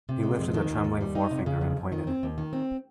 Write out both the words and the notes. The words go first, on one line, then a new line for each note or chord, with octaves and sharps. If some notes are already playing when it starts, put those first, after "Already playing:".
He lifted a trembling forefinger and pointed.
C3
G#3
F2
D#3
D#2
D#2
G3
D#4
C3
C#3
F2
F2
D#3
C4
D#2
D#3
C4